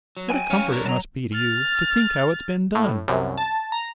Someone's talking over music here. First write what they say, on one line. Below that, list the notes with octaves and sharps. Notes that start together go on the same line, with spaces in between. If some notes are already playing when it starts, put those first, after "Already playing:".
What a comfort it must be, to you, to think how it's been done!
F#3
G5 G#5
F#2 C#5 F5
D4 A#4 C#5
F#3 A5 A#5
F6 A6
A2
C2 F#2
A5
A#5